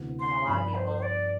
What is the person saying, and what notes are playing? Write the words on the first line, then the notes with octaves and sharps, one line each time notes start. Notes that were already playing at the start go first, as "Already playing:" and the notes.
And a lot of people
Already playing: D2 C3 E3 B3 E4
C6
G2 F3 B3 D4 F4 B5
C5
C5
D5